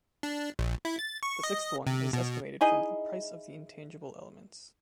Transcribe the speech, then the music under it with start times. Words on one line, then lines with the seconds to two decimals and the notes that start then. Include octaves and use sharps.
The sixth one is estimated from the price of the intangible elements.
0.23 D4
0.59 A#1
0.85 E4
0.99 A6
1.23 C#6
1.43 D#5
1.87 C3
2.13 B2
2.61 D#4 E4 G#4 D#5